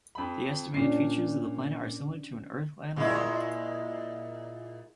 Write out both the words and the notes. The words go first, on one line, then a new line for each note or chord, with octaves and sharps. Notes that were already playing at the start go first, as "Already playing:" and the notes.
The estimated features of the planet are similar to an Earth analog.
F2 B5
A#2 C#4 D4 C7
A#2 G#3 E4